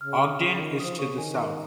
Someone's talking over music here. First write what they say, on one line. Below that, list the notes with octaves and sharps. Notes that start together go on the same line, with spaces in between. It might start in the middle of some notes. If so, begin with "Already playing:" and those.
Ogden is to the south.
C#3 F6
D#6
C#3
C#6
D#3
F3 D#6
C#3 C#6
D#3 G#5
A#5